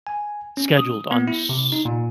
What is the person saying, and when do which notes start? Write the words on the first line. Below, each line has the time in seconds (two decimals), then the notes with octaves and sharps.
scheduled on S
0.07 G#5
0.57 C#4
0.77 D#6
1.11 B3
1.27 E4
1.49 C3
1.72 D#4
1.85 A#2